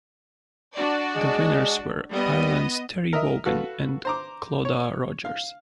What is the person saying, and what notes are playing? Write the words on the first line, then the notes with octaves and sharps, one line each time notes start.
The winners were Ireland's Terry Wogan and Clodagh Rodgers.
D4 F#4 D5
G#3
G3 B3 D#5
A#4 D#5 E5
F#4 A4 B4 F5
C5 A#5 D6
C#5
F5